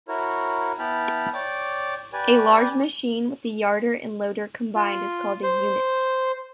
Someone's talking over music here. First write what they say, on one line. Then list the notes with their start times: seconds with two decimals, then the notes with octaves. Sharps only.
A large machine with a yarder and loader combined is called a unit.
0.08 E4 F#4 A#4 C#5
0.79 B3 E4 G5 A5 B5 F6
1.34 C#5 D5 G5 D6
2.13 G4 B4 D5 G#5
4.76 F4
5.43 C5